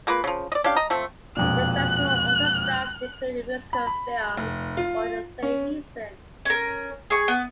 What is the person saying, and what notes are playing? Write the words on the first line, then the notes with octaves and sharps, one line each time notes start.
The festival also strives to include a musical film for the same reason.
G#3 A#3 F4 B4
C#3 F3
D5 D#5
C#4 D4 G4 F5
D#5 A#5
F3 A3 C4
E1 F2 A#2 F#6
B5
B5
F1
F4
C#4
C#4 A#4
G#4 C#6
B3